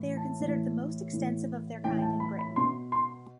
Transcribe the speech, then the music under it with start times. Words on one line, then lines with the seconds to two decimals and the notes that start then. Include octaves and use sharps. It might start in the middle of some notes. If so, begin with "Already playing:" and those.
They are considered the most extensive of their kind in Britain.
Already playing: A2 E3
0.17 A5
0.40 A2 E3
1.13 A2 E3
1.84 A2 E3 G5
1.98 G5
2.02 A5
2.20 B5
2.39 B5
2.56 B2 C6
2.92 C6